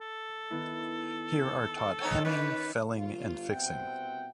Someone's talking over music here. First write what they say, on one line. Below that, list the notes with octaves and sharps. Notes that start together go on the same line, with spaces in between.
Here are taught hemming, felling, and fixing.
A4
D#3 B3 E4
B3 D#4 C#5
D#3 C#4 B4 F5
G1 F4
C2 B2 C4 E5 F#5 G5